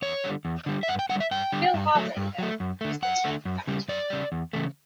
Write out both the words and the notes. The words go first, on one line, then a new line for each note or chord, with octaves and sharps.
Bill Hardaker was the team captain.
E2 C#5
D3 G3
E2
D3 G3
E5
G2 F#5
G5
D3 G3 F#5
E5
G2 G5
D3 G3
G2
F#3 A3
G2
F#3 A3
F#2
D3 A3
F#2 F#5
D3 A3
F#2
C#3 G3
F#2 D5
C#3 G3
E2
C#3 E3 A3